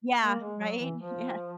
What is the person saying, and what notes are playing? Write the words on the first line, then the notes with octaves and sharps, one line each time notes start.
Yeah. Right, yeah
A#3
G#3
F#3
E3
F3